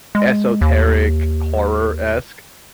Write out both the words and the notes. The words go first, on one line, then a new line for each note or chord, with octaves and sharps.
esoteric, horror-esque
G#3
D#2